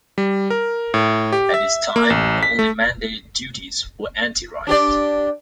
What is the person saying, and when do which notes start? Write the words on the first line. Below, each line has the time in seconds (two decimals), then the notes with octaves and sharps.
At this time the only mandated duties were anti-riot.
0.18 G3
0.50 A#4
0.94 A2
1.33 G4
1.54 E5
1.96 A#3
2.10 A1
2.43 B6
2.59 A3
4.67 D4 G4 D5